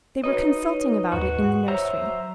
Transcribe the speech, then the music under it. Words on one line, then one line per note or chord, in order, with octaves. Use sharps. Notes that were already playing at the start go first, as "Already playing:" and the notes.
They were consulting about it in the nursery.
D#4 F#4 B4 C#5 D#5
D#2 G#2 F#4 B4
F#5
C5 C#5 E5 A#5
F#3